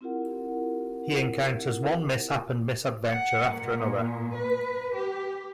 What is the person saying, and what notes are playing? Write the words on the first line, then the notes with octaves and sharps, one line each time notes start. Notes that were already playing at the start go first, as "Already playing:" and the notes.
He encounters one mishap and misadventure after another.
C4 E4 F4 G4 A#4 F#5
F#5
A#2
B4
G4